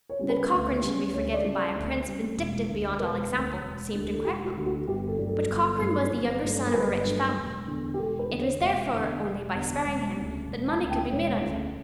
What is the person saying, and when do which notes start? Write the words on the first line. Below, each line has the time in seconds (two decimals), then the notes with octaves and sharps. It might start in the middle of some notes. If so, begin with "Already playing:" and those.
That Cochrane should be forgiven by a prince vindictive beyond all example, seemed incredible. But Cochrane was the younger son of a rich family; it was therefore only by sparing him that money could be made out of him.
0.09 C#5
0.19 C#3 G3 C#4
0.30 B4
0.51 D2
0.82 C#3 G3 C#4
1.12 D2 C#5
1.33 D5
1.44 C#3 G3 C#4
1.55 D5
1.75 D2
2.06 C#3 G3 C#4
2.38 E1
2.69 D2 D3 A3
3.00 E1 B4
3.30 D2 D3 A3
3.63 E1
3.93 D2 D3 A3
4.14 A4
4.25 E1 G4
4.45 F#4
4.55 D2 D3 A3
4.66 F#4
4.87 G1 G4
5.08 A4
5.18 G2 F#3 A3 D4
5.29 A4
5.50 G1
5.80 G2 F#3 A3 D4
6.12 G1
6.43 G2 F#3 A3 D4
6.74 G1 B4
7.05 G2 F#3 A3 D4
7.37 E1
7.68 E2 D3
7.94 G4
7.99 E1 A4
8.19 B4
8.30 E2 D3
8.41 C#5
8.61 E1 E5
8.93 E2 D3
9.24 E1
9.54 E2 D3
9.85 E1
10.16 D2 C#3
10.48 E1
10.69 A5
10.79 D2 C#3
10.90 G5
11.10 E1 C#5
11.41 D2 C#3